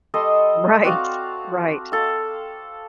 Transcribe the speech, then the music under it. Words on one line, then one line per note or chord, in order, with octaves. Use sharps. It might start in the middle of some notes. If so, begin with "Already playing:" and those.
Right. Right.
G3 A4 D#5 C6
C4 F#4 D5 F5
A4 F5